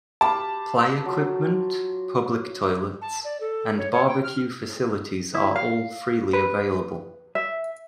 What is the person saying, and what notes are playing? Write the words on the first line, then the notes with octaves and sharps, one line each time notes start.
Play equipment, public toilets, and barbecue facilities are all freely available.
G4 F5 A5 B5
F#3 F4
A5
D5
A4
C#5
C#5
G5
F6
E4
F5
B4
E5